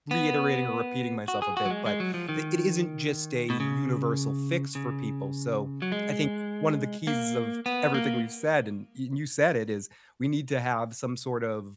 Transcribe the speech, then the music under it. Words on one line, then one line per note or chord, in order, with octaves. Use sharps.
reiterating or repeating myself a bit, but the it isn't just a universal fix for people. So, I think one of the keys of everything we've said, and y you said it, is we need to have some sort of
B3
F#4
G#4
F#4
F#3
G#3
G#3
F#3
F3
D#3
B2
C#3
C#3
F#3
G#3
A#3
B3
A#3